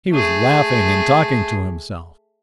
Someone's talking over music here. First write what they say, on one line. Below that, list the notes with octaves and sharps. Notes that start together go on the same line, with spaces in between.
He was laughing and talking to himself.
A3 G#4